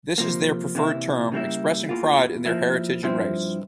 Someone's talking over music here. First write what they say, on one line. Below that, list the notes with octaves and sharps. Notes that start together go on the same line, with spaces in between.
This is their preferred term, expressing pride in their heritage and race.
C3 F3 A#3
C3 E3 A#3 E4
C#3 G3 A#3 E4
E2 E3 A#3 F4
F3 A#3 E4
G2 F3 C4 E4